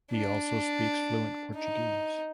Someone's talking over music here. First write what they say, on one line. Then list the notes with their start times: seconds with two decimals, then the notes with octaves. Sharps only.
He also speaks fluent Portuguese.
0.12 D4
1.55 D#4